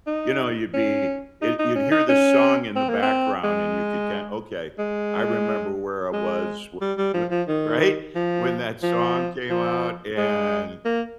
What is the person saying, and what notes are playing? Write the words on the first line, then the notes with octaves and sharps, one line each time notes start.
you know, you'd be eh, you'd hear this song in the background, and you could ki "Okay, I remember where I was w wh" Right? When that song came out, and
D#4
C#4
D#4
D#4
C#4
D#4
C#4
C4
A#3
C4
G#3
G#3
G#3
G3
G3
F3
F3
D#3
F3
F3
F3
G#3
A#3